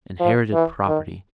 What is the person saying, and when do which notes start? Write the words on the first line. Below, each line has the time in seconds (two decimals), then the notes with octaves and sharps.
Inherited property!
0.20 F3
0.53 E3
0.87 D#3